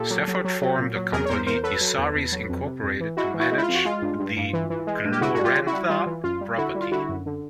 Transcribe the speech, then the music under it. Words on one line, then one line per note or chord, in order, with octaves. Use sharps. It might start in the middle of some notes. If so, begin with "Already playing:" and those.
Stafford formed a company, Issaries, Incorporated to manage the Glorantha property.
Already playing: A#2 G4 A4
F#3
F#3
F#3
F#3
A#2
F#3
E2 G#4 A#4
C#5
E2 A#4 C5
E2 A#4 C5
F#3 A4 B4
F#3
E2
E2
F#3
F2
C3
F2
E3
G#3 E4 F#4
E3
E4 F#4
G#3
E4
F4
F2
F#4
G#3 F4
G2
G2
G2
E3
E3
G#3
G2
G4
C#3 E4 F#4
G3 F#4
F4 G4
C#3
E4 F#4
G3
G3 F4
E3
F#2 F4
G3
D3 E4 F#4
G3
F4
D3 E4 F#4
F#2
D3